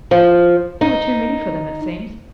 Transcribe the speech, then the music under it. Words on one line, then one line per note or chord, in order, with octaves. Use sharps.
'You were too many for them, it seems.
F3
D#4